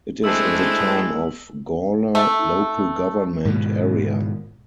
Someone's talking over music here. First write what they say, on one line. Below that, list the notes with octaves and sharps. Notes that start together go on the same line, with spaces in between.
It is in the Town of Gawler local government area.
G#3 A3 C4 D4 E4 E6
A3
G#2 B2 D#3